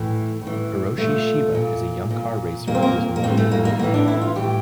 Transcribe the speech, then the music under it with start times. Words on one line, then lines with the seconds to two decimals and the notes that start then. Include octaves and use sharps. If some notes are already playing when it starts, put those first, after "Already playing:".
Hiroshi Shiba is a young car racer who is mortally wounded.
Already playing: A2 E3
0.42 A2
0.47 E3
0.98 A#2 A3
1.55 A#2
2.10 A#2
2.67 A#2 A#3
2.75 C4
2.82 A#3
3.16 A#3
3.23 A2 C4
3.27 E3
3.37 A3
3.51 A#3
3.65 A#3
3.79 A2 A#3
3.83 E3
3.94 D4
4.08 E4
4.21 F4
4.35 A2 E3 G4